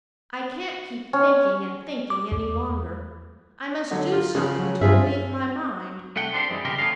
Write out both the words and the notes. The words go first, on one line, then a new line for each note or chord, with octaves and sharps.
I can't keep thinking and thinking any longer; I must do something to relieve my mind.
C#4
D6
E2
D3 F#3
F4
C#3 F3
F#3
G2 F4 G#4 E5
C2 A3 F#5 G5
C4 D4 G4 C5
F#2 E3 G3 G#3
C#3 E3 G3 G4 A#4 G5
A3 B3 C#4 F5